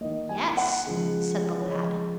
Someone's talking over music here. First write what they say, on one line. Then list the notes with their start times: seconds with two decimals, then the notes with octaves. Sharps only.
"Yes," said the lad.
0.01 D#3 A#3 D#5
0.29 G#5
0.57 F#5
0.86 C#3 F3 G#3
1.60 C#5
1.70 C#3 F3 G#3 D#5